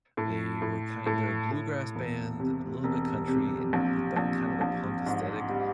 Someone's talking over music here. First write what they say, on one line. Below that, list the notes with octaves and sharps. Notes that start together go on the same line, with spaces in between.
they were kind they're a bluegrass band, little bit country and with bu kind of a punk aesthetic.
A2
A2
A2
A2
E1
C3
E1
C3
A#1
A#1
A#1
G#2
G3